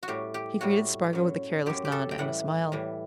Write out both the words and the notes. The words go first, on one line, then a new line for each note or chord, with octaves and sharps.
He greeted Spargo with a careless nod and a smile.
F#4
A2 G3 G4
G4
A2 G3 F#4
F#2 F#3
F#2 F#3 G4
G4
A4
G5
A2 E3 G3 F#5
A2 E3 G3